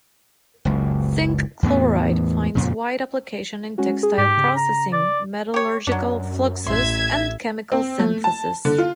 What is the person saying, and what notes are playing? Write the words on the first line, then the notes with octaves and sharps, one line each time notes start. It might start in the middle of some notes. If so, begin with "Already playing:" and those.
Zinc chloride finds wide application in textile processing, metallurgical fluxes, and chemical synthesis.
F#1 C#2
E2 A2 E3 B3
F2 A#2 C#3
G#3 C#4 F#4
G#4
G#2 G4
C#3
A#5
D5
G4 C#5
F#2 F#3 D4
A1 E5 C6 G#6
C4
A3
A5
D3
F4